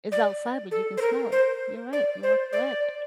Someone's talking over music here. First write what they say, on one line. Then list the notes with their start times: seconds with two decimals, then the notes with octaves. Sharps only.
It's outside, but you can smell it. You're right. You are correct.
0.12 D5
0.71 A4
0.97 C5
1.01 A#4
1.32 C5
1.93 D5
2.23 C5
2.53 D5